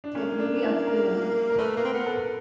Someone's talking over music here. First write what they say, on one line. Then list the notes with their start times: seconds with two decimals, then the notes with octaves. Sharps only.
The beauty of being.
0.04 D4
0.15 A#3 C#4
0.39 D4
0.63 E4
0.86 A#4
1.50 A#4
1.58 A3 B4
1.77 A#3
1.83 C4 A#4
1.94 B3
2.06 A4